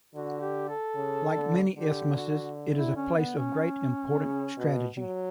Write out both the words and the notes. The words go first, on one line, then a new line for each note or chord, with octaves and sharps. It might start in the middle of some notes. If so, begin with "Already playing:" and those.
Like many isthmuses, it is a place of great important strategy.
D3 F#4
G4
A4
C#3
D3
D3 G4
F#4
E4
C#4
B3
C#4
C#3
B2
F#3